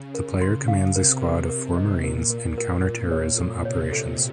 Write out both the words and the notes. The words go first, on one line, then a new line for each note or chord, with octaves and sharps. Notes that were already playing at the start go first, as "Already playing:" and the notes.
The player commands a squad of four marines in counter-terrorism operations.
Already playing: C#3
A#4
C#3 C6
F5
C3 A#4
A#4
A#4
D#5
A#2 A#4
A#4
A#2 A#4
A#4
C#5
A4
C3 C#5
A4